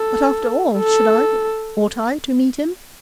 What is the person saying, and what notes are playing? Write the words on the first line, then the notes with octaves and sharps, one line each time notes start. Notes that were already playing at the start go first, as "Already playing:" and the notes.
But, after all, should I, ought I to meet him?
Already playing: A4
A4